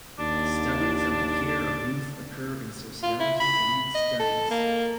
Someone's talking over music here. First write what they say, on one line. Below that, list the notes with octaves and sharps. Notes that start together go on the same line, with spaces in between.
Studies of the fear of youth occur in sociology and youth studies.
D#2 D4
F4
E4
B5
D#5
A4
A#3